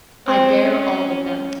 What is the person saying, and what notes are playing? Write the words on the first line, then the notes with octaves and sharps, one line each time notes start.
I bear all of them.
C4
C#4